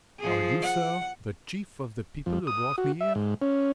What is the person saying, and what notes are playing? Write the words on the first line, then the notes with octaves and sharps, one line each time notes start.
"Are you, sir, the chief of the people who brought me here?"
F3 G#4
F#5
F2
D#6
F#4
E5
G#2
C#4